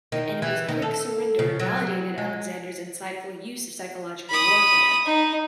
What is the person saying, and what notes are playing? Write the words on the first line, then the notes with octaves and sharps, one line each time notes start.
The enemy's quick surrender validated Alexander's insightful use of psychological warfare.
D#3
E3
D#3
A4
C#3
F#3
G#3
B5 D#6
D#4